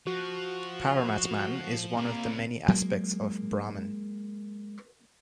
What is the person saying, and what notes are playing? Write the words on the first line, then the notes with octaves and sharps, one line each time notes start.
Paramatman is one of the many aspects of Brahman.
F3 F#4
C3 G3 A#3
F#3 G#3 A#3